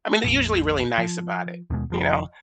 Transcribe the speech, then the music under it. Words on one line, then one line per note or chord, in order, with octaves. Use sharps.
I mean, they're usually really nice about it, you know.
A#1 F2 A#2
F3
D#2 B2 G#3
F1 F3